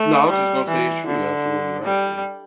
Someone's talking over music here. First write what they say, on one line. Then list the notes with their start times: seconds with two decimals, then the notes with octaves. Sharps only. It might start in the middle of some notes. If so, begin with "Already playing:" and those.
No, I was just gonna say it's true, you're absolutely right, yeah.
Already playing: A3
0.29 G3
0.68 E3
1.07 D3
1.84 G3